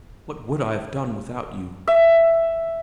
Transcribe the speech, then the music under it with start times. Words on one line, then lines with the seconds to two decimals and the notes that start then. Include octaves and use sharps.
'What would I have done without you?'
1.87 E5